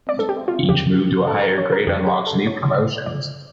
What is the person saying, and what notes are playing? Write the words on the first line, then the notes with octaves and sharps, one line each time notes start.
Each move to a higher grade unlocks new promotions.
D5
A4
G4
F4
E2 C#3 F3 G4
A4
A#4
C#5
A#4
F2 D3 F3 G4
G4
A4
C#5
G2 F3 D5